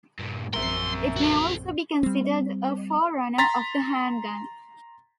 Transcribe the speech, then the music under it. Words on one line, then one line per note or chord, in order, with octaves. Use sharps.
It may also be considered a forerunner of the handgun.
G2 A#2
A#1 F#2 C4 A#4 E5 C6
F#4 A4
G3 C4
A#5 C6 A6 B6